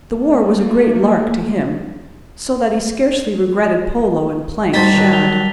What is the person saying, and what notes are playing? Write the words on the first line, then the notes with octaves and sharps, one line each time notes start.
The war was a great lark to him, so that he scarcely regretted polo and planked shad.
A3 A#3
G3 D#4 F#4 C5 A5 A6 B6
D#3 F#3
F7 G7